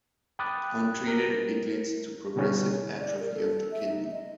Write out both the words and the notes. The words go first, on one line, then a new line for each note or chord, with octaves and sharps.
Untreated, it leads to progressive atrophy of the kidney.
G5 B5 D6 D#6 F#6 A6
A#4
B2 D3 G3 C#4
D5
A#4
A4
E5
D#4
D#5